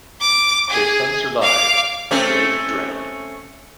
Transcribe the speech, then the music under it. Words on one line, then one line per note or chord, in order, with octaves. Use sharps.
Their son survived, but Blake drowned.
D6
G#4
F5 D6
A3 C4 C#4